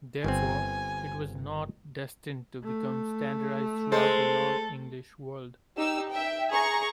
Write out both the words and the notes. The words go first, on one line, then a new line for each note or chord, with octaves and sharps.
Therefore, it was not destined to become standardized throughout the non-English world.
G1 C4 G#5
A3
G#3 A4 C5
D#4 G4 E6
E5 G5
G#4 A#5 C#6